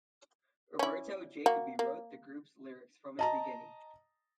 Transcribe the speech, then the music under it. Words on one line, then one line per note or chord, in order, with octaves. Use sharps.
Roberto Jacoby wrote the group's lyrics from its beginning.
C#4 E4
A#3 F#4
A#3
D#5 A5 A#5